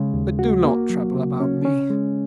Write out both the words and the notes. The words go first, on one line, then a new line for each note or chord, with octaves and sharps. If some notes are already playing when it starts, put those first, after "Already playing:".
But do not trouble about me.
Already playing: C#3 G#3
D#2
F#4
A#3
F#3
C#3
C#4
C#4
G#3